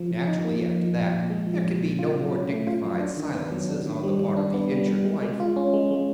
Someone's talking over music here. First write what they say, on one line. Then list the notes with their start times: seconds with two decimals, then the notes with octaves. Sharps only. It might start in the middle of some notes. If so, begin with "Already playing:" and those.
Naturally, after that, there could be no more dignified silences on the part of the injured wife.
Already playing: F3
0.11 F3
0.28 D#4
0.44 A#3
0.62 F3
0.79 F3
0.96 A#2
1.12 A#2
1.30 G#3
1.47 F3
1.64 A#2
1.81 A#2
1.99 F4
2.16 F#3
2.32 C#4
2.49 A3
2.67 F4
2.84 F#3
3.00 D4
3.17 D#3
3.35 B3
3.51 F#3
3.69 D4
3.86 D#3
4.03 G3
4.19 G3
4.36 D4
4.54 B3
4.72 G3
4.87 G3
5.05 G#3
5.22 G#3
5.40 F4
5.56 C#4
5.74 G#3
5.91 G#3